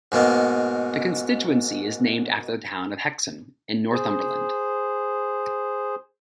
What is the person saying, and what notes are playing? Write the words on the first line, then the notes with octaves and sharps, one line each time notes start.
The constituency is named after the town of Hexham in Northumberland.
G#2 B2 A#3 B3
G#4 C5